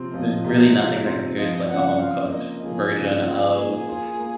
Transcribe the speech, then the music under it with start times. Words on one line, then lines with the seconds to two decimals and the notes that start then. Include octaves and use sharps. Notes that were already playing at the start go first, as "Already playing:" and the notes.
there's really nothing that compares to, like, a home cooked version of
Already playing: C3 F3 C4 F4
0.13 F3 D#5
0.44 C3
0.76 F4
1.07 C4
1.38 F3 D#5
1.70 C#3 F#5
2.00 F4 F5
2.31 A#3 D#5
2.63 F3 G#4
2.94 C#3
3.25 F4 G#4
3.57 A#3
3.89 F4
4.19 A#3